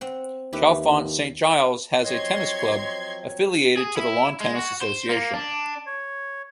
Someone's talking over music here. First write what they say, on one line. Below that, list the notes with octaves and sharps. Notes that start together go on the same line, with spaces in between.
Chalfont Saint Giles has a tennis club, affiliated to the Lawn Tennis Association.
C4 F#5
D#2 E4 G4 B4
F3 F#3 C4 C#5 D#5 C6 G#6
G#4
E4
G#3
F#4
C5
A#3
D4
C#5